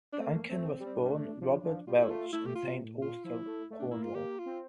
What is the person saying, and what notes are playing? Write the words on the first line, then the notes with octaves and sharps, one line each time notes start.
Duncan was born Robert Welch in Saint Austell, Cornwall.
D4
A3 C4
A#3
A3 C4
G3
C4
D4
G3
A3
F3 D4
F3
G3 F4
E4
A3 F4
A3 E4
G4
F4
C3
A2
A#2
F4
F3 E4
A3
A3
D4
A#3 E4
F4
A#3 G4
F4
C4